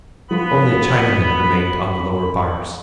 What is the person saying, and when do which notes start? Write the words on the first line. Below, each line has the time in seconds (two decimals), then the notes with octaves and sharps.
Only Chinamen remained on the lower bars.
0.31 F3 B3 B5